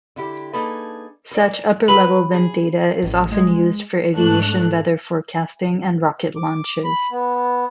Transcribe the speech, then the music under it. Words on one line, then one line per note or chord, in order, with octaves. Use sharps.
Such upper-level wind data is often used for aviation weather forecasting and rocket launches.
D3 E4 G4
A#3 D4 D#4 G#4 A4 B4
A#4 D5
F#3 B4 B5
G#4
A1
G#3
G#2 A3 D4 F#6
D6
B5
B3